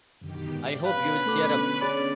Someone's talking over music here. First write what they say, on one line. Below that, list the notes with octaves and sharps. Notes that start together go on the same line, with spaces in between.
I hope you'll cheer up.
F#2 B2 D3 D#3 G4
G#2 D5 G5
B2 D3 C#4 B4 F5
A3 A4 D6
G#4 C#5 D5 B5